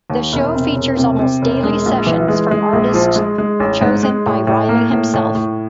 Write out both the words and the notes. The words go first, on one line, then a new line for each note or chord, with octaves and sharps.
The show features almost daily sessions from artists chosen by Riley himself.
D#2
E1
C3
E1
C3
C3
E1
G#3
A#1
E3
G#3
G#3
A#1
F3
G#3
G#3
A1
G#2
G#3
A2
A2
A#3
A2
A2
A2